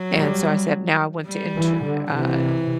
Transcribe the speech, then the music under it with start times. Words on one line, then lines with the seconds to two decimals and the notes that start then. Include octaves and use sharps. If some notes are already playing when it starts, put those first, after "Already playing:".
and so I said, “Now I want to enter “uh,
Already playing: F#3
0.15 G3
1.27 G3
1.56 E3
1.84 D3
2.12 C3 E3